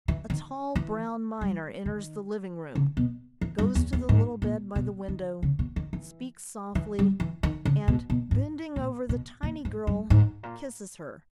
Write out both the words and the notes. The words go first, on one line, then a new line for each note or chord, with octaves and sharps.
A tall, brown miner enters the living room, goes to the little bed by the window, speaks softly, and, bending over the tiny girl, kisses her.
E3
D#3
E3
G3
D#3
C#3
B2
E3
G2
E2
E2
G#2
A#2
B2
D#3
C#3
B2
D#3
E3
E3
G3
E3
D#3
C#3
B2
B2
G#2
A#2
B2
A#2
G#2
G2
G#2
A#2